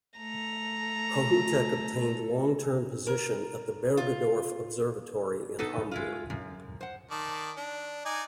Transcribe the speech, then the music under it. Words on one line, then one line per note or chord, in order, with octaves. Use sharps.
Kohoutek obtained long term position at the Bergedorf Observatory in Hamburg.
A3 A4 A#5
A#4
F4
B3 D#4 A4 B4
G#3 E4 F4
F#2
C5 F#5
D#3 D5 A5
D4
D#4 D5 G#5